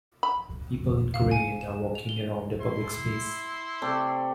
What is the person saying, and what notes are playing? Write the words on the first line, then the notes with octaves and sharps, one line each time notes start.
People in green are walking around a public space.
B5
F5
G#5
E7
F7
G7
E4 C6
C3 A3 D5